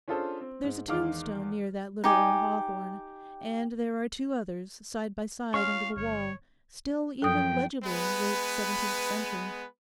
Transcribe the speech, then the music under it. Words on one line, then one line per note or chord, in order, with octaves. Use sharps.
There's a tombstone near that little old hawthorn, and there are two others side by side under the wall, still even legibly late seventeenth century.
C#4 D4 F4 G#4 A4 C5
C4
G#2
E2 D#3 G#3 F5 D6 F6
D#4 G4 G#5
C#4 F4 F5 C#6 F6
G1 C#5
F#2 F3 A4 G5 D#6
G#3 B3 B4